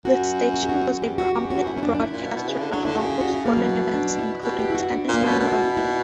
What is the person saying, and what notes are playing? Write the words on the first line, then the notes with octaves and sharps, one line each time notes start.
The station was a prominent broadcaster of local sporting events including Tennis and Rugby.
F#2 F#4
F#4
G4
F#4
F#4
E2 G4
F#4
F#2 G4
E2 F#4
F#2
E4
F#2
C#4
D4
F#2
D4
E4
A#2
B2
B2
C#3
D3
F#3 D4
D3 E4
C#3 F#4
G4
F#4
E4
B2 A#3
F#3
F#3
D4
D4
E4
B2 G4
G4
E4
F#4
D4
A#2
A#3
B2 B3
C#4
B2 D4
F#4
E4
E4